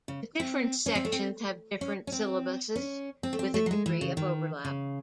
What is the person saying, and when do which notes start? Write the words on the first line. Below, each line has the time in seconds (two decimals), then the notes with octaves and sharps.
The different sections have different syllabuses with a degree of overlap.
0.08 C#3
0.40 C4
0.86 C#4
0.95 C4
1.05 A3
1.12 C4
1.81 C#4
2.07 C#4
2.12 C4
2.76 C#4
3.23 C4
3.33 A3
3.39 C4
3.54 A3
3.66 F#3
3.71 G#3
3.86 E3
4.01 C#3
4.17 D#3
4.65 C#3